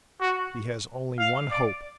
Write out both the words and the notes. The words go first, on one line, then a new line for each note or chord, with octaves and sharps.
He has only one hope.
F#4
F5
D5